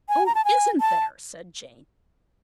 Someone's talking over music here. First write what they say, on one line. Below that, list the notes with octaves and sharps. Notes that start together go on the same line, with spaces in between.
'Oh, isn't there!' said Jane.
G#5
A#5
A5
G#5
A5